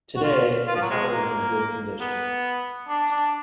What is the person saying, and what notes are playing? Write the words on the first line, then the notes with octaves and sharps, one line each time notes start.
Today, the tower is in good condition.
F#4
F4
F4
F3
F#3
G#3
A#3
B3
D4
D4